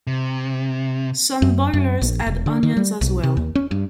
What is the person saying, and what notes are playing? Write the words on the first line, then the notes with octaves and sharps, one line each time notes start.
Some boilers add onions as well.
C3
F#2
F#2
A#1
E1
D3
D#3
G3
B1
C3
D#2
C#4
G2